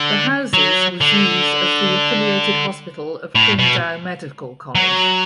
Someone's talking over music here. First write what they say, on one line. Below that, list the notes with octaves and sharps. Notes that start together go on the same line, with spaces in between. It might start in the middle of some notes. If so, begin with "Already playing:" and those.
The houses was used as the Affiliated Hospital of Qingdao Medical College.
Already playing: D3
F#3
D3
A2
B2
F#3